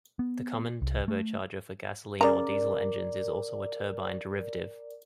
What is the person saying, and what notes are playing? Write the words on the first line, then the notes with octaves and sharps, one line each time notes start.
The common turbocharger for gasoline or diesel engines is also a turbine derivative.
B3
C2
A3
C#3 A#4 D5 A#5